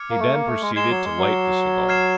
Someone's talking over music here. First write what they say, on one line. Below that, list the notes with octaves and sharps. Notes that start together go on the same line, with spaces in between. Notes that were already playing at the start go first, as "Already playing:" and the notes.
He then proceeded to light the cigar.
Already playing: D6 F6 G#6 C#7
A#3
A3
A#3
A3
G#3
G#3 G#6 C7 E7 G7
F#3
G#3
F#3
F6 G#6 C7 E7